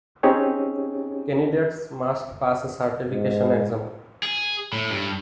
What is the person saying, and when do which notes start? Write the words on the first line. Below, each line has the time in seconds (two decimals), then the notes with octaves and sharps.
Candidates must pass a certification exam.
0.23 C4 C#4 D#4 G4 G#4 C#5
3.10 G#2
4.23 G#4
4.73 A2
4.90 G2